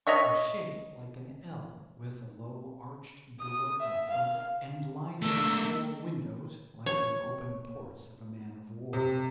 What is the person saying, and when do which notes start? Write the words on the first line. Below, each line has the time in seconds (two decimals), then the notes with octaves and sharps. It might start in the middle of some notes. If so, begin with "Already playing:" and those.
It was shaped like an L, with a low arched door in front, and lines of small windows like the open ports of a man-of-war.
0.07 C#5 D#5 E5 C#6
3.40 D#6
3.81 E5
4.09 F5
5.22 A3 A#3 D4 E6
6.86 C#5
8.93 C3